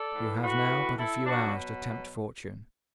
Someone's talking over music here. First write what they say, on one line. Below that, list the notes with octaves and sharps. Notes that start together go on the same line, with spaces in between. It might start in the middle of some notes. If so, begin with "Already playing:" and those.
You have now but a few hours to tempt fortune.
Already playing: A4 D5
A2 E3
F#4 B4
E4 A4
B2 F#3 D4 F#4